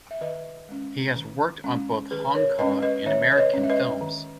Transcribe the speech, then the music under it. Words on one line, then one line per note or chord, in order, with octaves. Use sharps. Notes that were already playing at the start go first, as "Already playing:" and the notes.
He has worked on both Hong Kong and American films.
E5
D#3 B4 D#5
G#3 C#4
D#3
G#3 C#4
D#3 G#4 B4
A#4 C#5
G#3 C#4 B4 D#5
B4 D#5
D#3 C#5 E5
C#5
B4 D#5
G#3 C#4
E5
B4 D#5
D#3